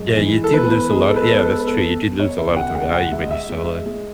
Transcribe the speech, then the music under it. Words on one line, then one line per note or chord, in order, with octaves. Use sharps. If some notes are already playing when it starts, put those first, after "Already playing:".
Yeah, you did lose a lot Yeah, that's true, you did lose a lot of the value when you sell it.
Already playing: F#2 G#3
E3
A4
B3 B4
B4
G#3 G#4
A4
B4
A4
B3 B4
A4
B4
A4
B4
B3 A4
B3
C#5
C#2 E5
F#5
G#3 F#5
F#5
G#3 E5
D#5
E5
G#3
G#3